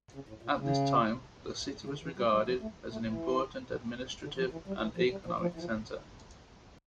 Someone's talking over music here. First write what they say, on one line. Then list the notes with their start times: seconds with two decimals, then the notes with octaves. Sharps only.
At this time, the city was regarded as an important administrative and economic centre.
0.15 C#3
0.29 A2
0.43 A#2
0.58 C#3
1.85 C#3
1.89 D3
2.04 E3
2.18 G3
2.33 G3
2.48 F3
2.62 A3
2.92 A3
3.06 E3
4.23 D3
4.38 F3
4.52 E3
4.67 G3
4.81 E3
4.97 F3
5.11 G3
5.26 F3
5.40 F3
5.54 E3
5.60 F3